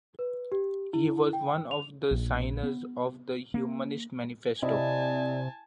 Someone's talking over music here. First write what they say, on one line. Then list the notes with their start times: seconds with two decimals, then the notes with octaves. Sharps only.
He was one of the signers of the Humanist Manifesto.
0.19 B4
0.52 G4
0.93 E4
1.33 G5
1.71 F7
2.11 A#1
2.63 B3
3.54 A#3
4.62 C3 E4 D5 D#5 G#5 A5